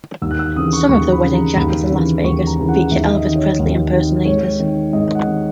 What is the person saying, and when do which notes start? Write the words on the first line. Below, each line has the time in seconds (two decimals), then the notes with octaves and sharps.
Some of the wedding chapels in Las Vegas feature Elvis Presley impersonators.
0.22 D#2 E6
0.31 F#6
0.39 E6
0.56 C#3 E3 D#6
0.73 C#6
0.89 D#2 C#6
1.12 B5
1.23 C#3 E3
1.34 A#5
1.56 D#2 B5
1.90 C#3 E3
2.23 D#2 C#6
2.47 A#5
2.58 C#3 E3
2.69 F#5
2.91 D#2 E5
3.14 D#5
3.24 D#3
3.36 C#5
3.59 D#2
3.93 D#3
4.26 G#2 C#5
4.59 D#3
4.93 G#2 D#5
5.15 F#5
5.27 D#3